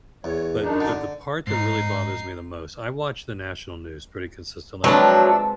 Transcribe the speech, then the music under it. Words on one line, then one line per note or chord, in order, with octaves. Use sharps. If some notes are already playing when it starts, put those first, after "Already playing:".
but the the part that really bothers me the most I watch the national news pretty consistently,
E2 C#5
F#2 D4 D#4
D3
G#2 D#4 C7
F3 F#3 G#3 C4 D4 B4 E5 A5